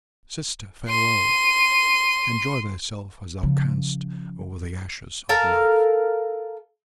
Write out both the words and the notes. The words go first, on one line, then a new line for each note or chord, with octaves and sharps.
Sister, farewell! enjoy thyself as thou canst over the ashes of life.'
C6 D#7
C#3 F3
A4 A#4 F5